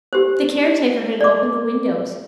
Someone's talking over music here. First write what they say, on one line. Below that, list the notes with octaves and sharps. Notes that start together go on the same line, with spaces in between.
The caretaker had opened the windows.
G4 C5
D5 D6